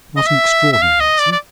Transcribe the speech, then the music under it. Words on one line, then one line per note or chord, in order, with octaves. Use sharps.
Not an extraordinary accident.
D#5
E5
E5
F5
D#5
D5
D5